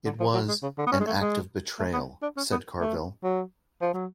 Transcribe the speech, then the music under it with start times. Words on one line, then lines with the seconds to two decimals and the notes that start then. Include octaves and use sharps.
It was "an act of betrayal," said Carville.
0.05 D3
0.20 F3
0.34 F#3
0.48 G#3
0.63 C#3
0.78 D3
0.87 B3
0.92 C#4
1.00 G#3
1.07 A3
1.21 G#3
1.79 A3
1.93 B3
2.22 D4
2.37 C#4
2.51 B3
2.80 A3
3.24 F#3
3.82 F3
3.94 F#3